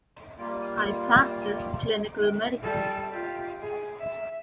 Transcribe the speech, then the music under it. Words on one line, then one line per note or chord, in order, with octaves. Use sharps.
I practice clinical medicine.
G3 A#3 F4
G3 A4
F4 G4
G#4
E5